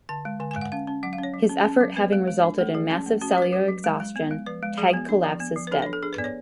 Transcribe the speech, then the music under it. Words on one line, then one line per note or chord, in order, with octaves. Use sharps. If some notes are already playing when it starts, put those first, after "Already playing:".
His effort having resulted in massive cellular exhaustion, Teg collapses dead.
D3 A5
G#3
D3 G#5
G#5
G#3
F#5
C#4 F5
C#4
F#3 F#5
F5
C#4
C#5
F#3
C#4
C#4
F#3
B3 B4
G#3
G#3
D4
A3 A4
F3 G#4
C#4
A3
C#4 F#4
F#4
F#3
B4
F#3 F#4
F#3
G#3
G#3
B3
G#3
F3 B4
G#3
F3 G#4
F#4
B3
D4
F3
B3
F3
B4
D4 A4
D4 C#5
A4
D4 G#4
B4
B3 D5
C#5